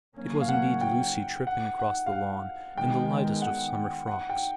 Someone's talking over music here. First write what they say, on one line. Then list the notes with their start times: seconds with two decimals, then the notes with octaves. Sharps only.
It was indeed Lucy tripping across the lawn in the lightest of summer frocks.
0.16 C#3 F#3 A#3 C#4
0.41 F5
0.49 F#5
0.81 G5
1.47 F#5
1.79 F#5
2.06 F5
2.12 F#5
2.77 D#3 G#3 B3 G5
3.42 F#5
4.07 F#5
4.30 G5